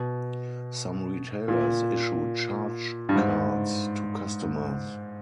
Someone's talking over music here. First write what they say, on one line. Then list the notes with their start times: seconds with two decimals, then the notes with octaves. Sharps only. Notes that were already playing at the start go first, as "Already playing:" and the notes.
Some retailers issue charge cards to customers.
Already playing: B2
1.48 A#2
3.09 G2
3.16 G#2